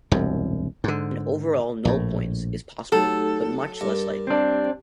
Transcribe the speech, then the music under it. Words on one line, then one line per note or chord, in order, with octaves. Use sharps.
An overall "nul points" is possible, but much less likely.
E1 C2 F#2
G#2 D3
A#1 A2
F#3 A3 D#4 G4 A4
G2 A#4
C4 D4 G4